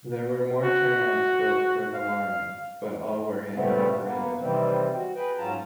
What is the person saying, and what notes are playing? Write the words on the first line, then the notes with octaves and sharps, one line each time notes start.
There were more turnouts built for the line but all were hand operated.
F#4
F5
A#2 C#3 G3 A3 B3 C4
A#3 B3
C3 D#3 E3 G3 C4
F#4
G#4 B4 G5
G#2 F#3 C#4 F4 A5 A#5